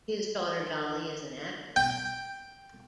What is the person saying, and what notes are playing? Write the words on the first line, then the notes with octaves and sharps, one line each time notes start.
His daughter Dolly is an actress.
G5